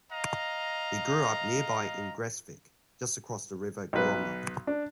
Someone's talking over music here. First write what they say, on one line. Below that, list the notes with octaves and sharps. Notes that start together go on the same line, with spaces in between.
He grew up nearby in Gressvik, just across the river Glomma.
D#5 F5 A#5
B1 B4
D4